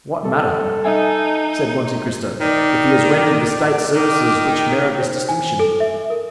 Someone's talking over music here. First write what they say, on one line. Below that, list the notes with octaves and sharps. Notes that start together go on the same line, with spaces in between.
"What matter," said Monte Cristo "if he has rendered the State services which merit this distinction?"
G3 A4
D#4 D#5 E5 G#5
D#3 D5
D#3 D6
G5
C5
G#5
A4
E5
A#4